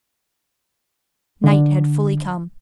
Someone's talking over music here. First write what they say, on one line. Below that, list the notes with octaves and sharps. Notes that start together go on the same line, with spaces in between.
Night had fully come.
D3